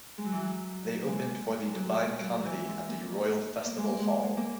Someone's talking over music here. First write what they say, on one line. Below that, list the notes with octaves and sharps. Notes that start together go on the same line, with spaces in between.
They opened for The Divine Comedy at the Royal Festival Hall.
G#3
F#3
E3
F#3
G#3 A#3
A#3
G#3
F#3
G#3
G#3
F#3
E3
G#3
A#3
A#3
G#3
A#3
G#3
G#3
A#3